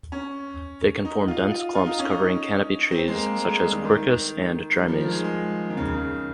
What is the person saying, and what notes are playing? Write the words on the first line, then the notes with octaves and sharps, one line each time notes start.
They can form dense clumps covering canopy trees such as "Quercus" and "Drimys".
C#4
D#4
F4
F4
F4
D#4
C#4
D#4
C4
G#3
A#3
G#3
G#3
G3
D#3
D#3
G3
F3
D#3
G#3
G#3
D#3
C#3
D#3
C#3